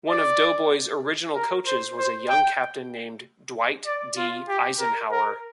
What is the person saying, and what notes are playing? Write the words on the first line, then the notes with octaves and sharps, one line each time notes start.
One of the Doughboys' original coaches was a young captain named Dwight D. Eisenhower.
D5
A#4
C5
C5
G5
D5
F4
G4
A#4
A#4